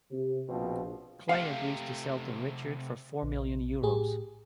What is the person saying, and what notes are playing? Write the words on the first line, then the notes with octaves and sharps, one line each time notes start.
Clay agrees to sell to Richard for four million euros.
C3
A#1 B2 F3 C4
C3 A3 F5
A#1
A2 G4 G#4